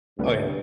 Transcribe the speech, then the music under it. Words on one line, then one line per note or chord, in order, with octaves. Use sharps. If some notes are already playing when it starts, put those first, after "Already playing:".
Oh, yeah?
D2 G2 D3 G3 B3